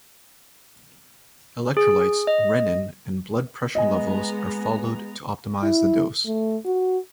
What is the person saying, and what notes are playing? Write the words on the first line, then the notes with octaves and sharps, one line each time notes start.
Electrolytes, renin, and blood pressure levels are followed to optimize the dose.
G#4
D#5
G#3 B3 D#5 G#5 A#5
E4
A3
F#4